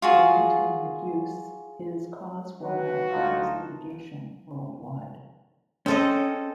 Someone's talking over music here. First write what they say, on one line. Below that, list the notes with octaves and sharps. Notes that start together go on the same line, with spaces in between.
Their continued use is cause for malpractice litigation worldwide.
F4 F#4 G#4
F#3 F#4 B4
D2 D#4 F4 A5
C4 C#4 A4 D#5